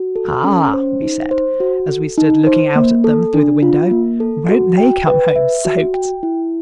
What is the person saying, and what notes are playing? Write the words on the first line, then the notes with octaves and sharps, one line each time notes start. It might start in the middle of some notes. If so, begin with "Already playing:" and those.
"Ah!" we said, as we stood looking out at them through the window, "won't they come home soaked!"
Already playing: F#4
A4
C#4
C5
D#4
C5
F#4
A4
D#4
C5
A#3
A4
D4
F4
A#3
A4
F#4
G5
B4
E5
F#4
G5
E4